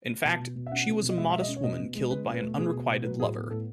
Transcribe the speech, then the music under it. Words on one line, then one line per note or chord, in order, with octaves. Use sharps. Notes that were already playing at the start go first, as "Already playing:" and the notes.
In fact, she was a modest woman killed by an unrequited lover.
B2 A5
B2
B2
E5
C#4 F#5
B2
B2
D#5
G#3 E5
B2 E5
D#5
C#4
C#5
B2 D#5
B2
G#3
C#4 B4
B2
B4
A3
B2 G#4
B2
B2
F#3 B4
A2 G#4
B3
A2 A4